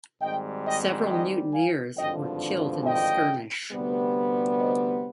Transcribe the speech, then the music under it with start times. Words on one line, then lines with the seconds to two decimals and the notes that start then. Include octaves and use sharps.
Several mutineers were killed in the skirmish.
0.21 G#1 G#2 G3 D#5 G5
0.65 D#5 G5
1.08 D#5 G5
1.52 F5 G#5
1.97 G#1 G2 D3 F3 D#5 G5
2.83 D#5 G5
3.71 D2 C3 G3 B3
4.59 C5 D#5